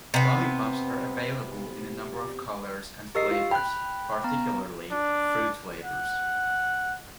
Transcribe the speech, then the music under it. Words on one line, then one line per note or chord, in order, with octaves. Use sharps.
Lollipops are available in a number of colors and flavors, particularly fruit flavors.
C3 B3
G4 A#4 D#5 E6 C7
F4
G5 B5 F#6
B3 A#5
D4
F#5